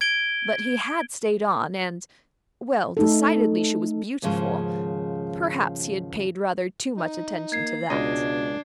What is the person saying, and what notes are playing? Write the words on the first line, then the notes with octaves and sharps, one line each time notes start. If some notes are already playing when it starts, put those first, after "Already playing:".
But he had stayed on, and--well, decidedly she was beautiful--perhaps he had paid rather too much attention to that.
G#6 D7 G7
A3 D#4 A4
D#2 G#2 C#3 F3 G#3 C#4
D#4
A#3 G#6 C7
C#2 B2 D4 D#5